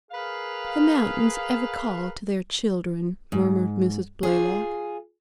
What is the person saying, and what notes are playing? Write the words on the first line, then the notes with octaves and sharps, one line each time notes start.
"The mountains ever call to their children," murmured Mrs. Blaylock.
G#4 A#4 B4 F5
G#2
F4 G#4